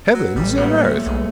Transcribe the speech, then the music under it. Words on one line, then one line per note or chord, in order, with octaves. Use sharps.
Heavens and earth!
F#3 B4
A1 A2 G3
A#2 F#3 A3 B3
B1 G3 G#3